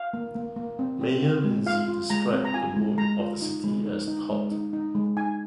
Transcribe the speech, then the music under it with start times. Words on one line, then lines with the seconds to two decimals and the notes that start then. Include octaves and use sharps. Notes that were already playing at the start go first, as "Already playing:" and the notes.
Mayor Lindsay described the mood of the city as "taut".
Already playing: F5
0.13 A#3
0.35 A#3
0.56 A#3
0.79 C4
1.01 C4
1.23 C4
1.44 G#3
1.66 F4 F5
1.88 F4
2.10 G#3 A#5
2.32 C4
2.45 A#5
2.54 F4 G#5
2.76 G#3
2.98 G#3 A#5
3.20 F4
3.42 D#4
3.64 G#3
3.86 D#4
4.08 D#4
4.30 G#3
4.52 D#4
4.73 D#4
4.95 G#3
5.17 D#4 G#5